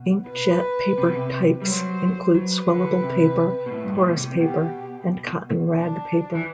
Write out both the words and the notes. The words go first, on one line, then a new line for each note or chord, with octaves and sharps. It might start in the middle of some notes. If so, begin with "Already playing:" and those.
Ink-jet paper types include swellable paper, porous paper, and cotton rag paper.
Already playing: B2
B4
C3
B2
C3
G3
F#3 C5
F#3 B4
D3
C3
B2
A2
G2
A2
B2
C3
B2 G4
D4
E3